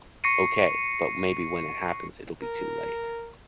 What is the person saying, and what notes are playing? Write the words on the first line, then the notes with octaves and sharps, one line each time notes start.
OK. But maybe when it happens, it will be too late.
C#6 A#6 C7 C#7 D#7
A#4